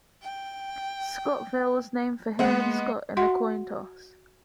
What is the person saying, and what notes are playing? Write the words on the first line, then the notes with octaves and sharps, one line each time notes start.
Scottville was named for Hiram Scott in a coin toss.
G5
G#3 A#3 B3 F#5
F#4 E5 F#5 C6